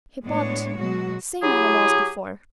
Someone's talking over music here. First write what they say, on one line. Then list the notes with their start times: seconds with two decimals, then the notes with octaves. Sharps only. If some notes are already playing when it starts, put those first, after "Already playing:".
Hippot--same animal as before.
0.25 A2 G#3 B3 D4 C#5
0.77 B2 F#3 G#3 F#4
1.41 F#3 E4 G4 G#4